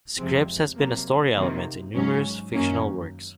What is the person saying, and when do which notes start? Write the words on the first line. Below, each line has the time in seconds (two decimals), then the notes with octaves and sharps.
Scripps has been a story element in numerous fictional works.
0.17 F2 C3 F3 G#3 C4
0.76 C3 F#3 A#3
1.35 C3 D#3 A#3
1.94 G#2 F#3 C#4
2.53 F#2 D#3 F#3 A#3 C#4